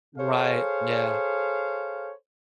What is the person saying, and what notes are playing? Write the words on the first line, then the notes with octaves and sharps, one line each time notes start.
Right, yeah.
G#4 A4 C5 C#5 F5